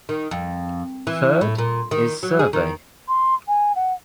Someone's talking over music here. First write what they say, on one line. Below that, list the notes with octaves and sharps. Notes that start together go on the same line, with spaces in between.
Third, is survey.
D#3
F2
E3
A2
A#2
D#3
F#3
G#4
D#3
C6
G#5
F#5